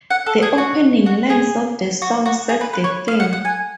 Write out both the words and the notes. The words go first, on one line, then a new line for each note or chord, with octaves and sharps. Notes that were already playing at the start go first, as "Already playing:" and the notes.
The opening lines of the song set the theme.
F#5
A4
G#4
F#4
F#4
G#4
F#4
F#4
G#4
B4
B4
C#5
F5
F#5
F#5
G#5